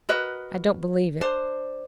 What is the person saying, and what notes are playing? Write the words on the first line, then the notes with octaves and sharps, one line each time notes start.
"I don't believe it!"
F#4 A#4 B4 D#5
D4 C5